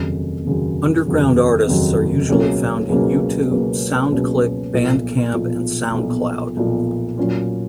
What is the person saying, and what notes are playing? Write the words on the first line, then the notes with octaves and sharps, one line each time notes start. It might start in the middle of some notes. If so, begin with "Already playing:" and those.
Underground artists are usually found in YouTube, SoundClick, Bandcamp and SoundCloud.
Already playing: F1 D#2 C#3 F#3
F1 D#2 C#3 F#3
F1 D#2 C#3 F#3
F1 D#2 C#3 F#3
C#2 B2 F#3 A#3 C#4
C#2 B2 F#3 A#3 C#4
C#2 B2 F#3 A#3 C#4
C#2 B2 F#3 A#3 C#4
B1 A#2 F3
B1 A#2 F3
B1 A#2 F3
B1 A#2 F3
A#2 F#3 C#4 F4